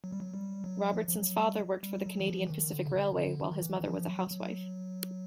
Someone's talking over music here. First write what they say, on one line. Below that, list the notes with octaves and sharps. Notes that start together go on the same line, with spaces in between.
Robertson's father worked for the Canadian Pacific Railway, while his mother was a housewife.
F#3
G3
F#3
G3
F#3
F3
F3
F#3
G3
G3
F#3
E3
F3
E3
D#3
D3
C#3
D3
D3
D#3
D#3
E3
E3
F3
F#3
F#3